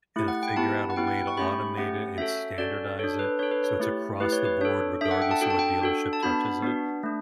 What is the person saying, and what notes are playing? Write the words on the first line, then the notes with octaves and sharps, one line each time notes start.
and, uh, figure out a way to automate it and standardize it so it's across the board regardless of what dealership touches it,
A3 E4 G4
F#5
G5
B3 E4 G4 A5
F#5
B3 E4 G4 G5
F#5
G5
C#6
A3 C#4 G4 B5
A3 C#4 G4 F#5
C#4 F#4 A4 E5
C#4 F#4 A4 D5
D4 A4 C#5
B4
D4 A4 C#5
B4
C#5
A3 E4 G4
A3 E4 G4 B4
C#5
B4
D4 A4 C#5
D4 A4 E5
F#5
G5
A5
D4 F#4 A4 G5
A5
G5
D4 F#4 A4
A5
B3 D4 F#4 B5
B3 D4 F#4
A3 D4